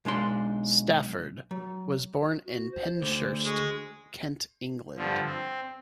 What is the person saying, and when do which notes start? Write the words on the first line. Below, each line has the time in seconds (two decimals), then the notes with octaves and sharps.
Stafford was born in Penshurst, Kent, England.
0.05 B1 G#3 D4 C6
1.51 F#3
2.45 F#4
2.71 C5
3.02 D2 D3
3.44 G#3 C#6
4.96 G2 D3 F3
5.26 C4